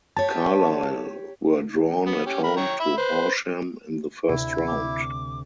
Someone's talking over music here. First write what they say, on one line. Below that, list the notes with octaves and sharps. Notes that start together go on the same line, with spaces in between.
Carlisle were drawn at home to Horsham in the first round.
G4 C#5 A5
B3
C#4 G4
A#4 B5
C#5 G5 A#5
E5 B5
B4 C5
D2 C3 E4
D6